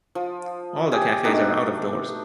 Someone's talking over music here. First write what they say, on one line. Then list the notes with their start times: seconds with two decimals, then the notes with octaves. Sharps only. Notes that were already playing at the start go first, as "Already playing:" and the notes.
All the cafes are out of doors.
0.15 F3
0.92 G4 G#4
1.24 B2 A3 D4 D#4